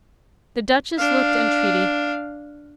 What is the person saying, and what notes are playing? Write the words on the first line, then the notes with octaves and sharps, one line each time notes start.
The Duchess looked entreaty.
D4 F5